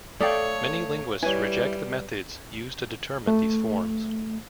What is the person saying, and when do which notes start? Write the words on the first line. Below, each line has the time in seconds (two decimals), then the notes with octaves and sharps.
Many linguists reject the methods used to determine these forms.
0.21 A3 A4 C#5 D5 F5 G5 D#6
1.23 G3 E4 B4 C#5 G#5
3.27 A3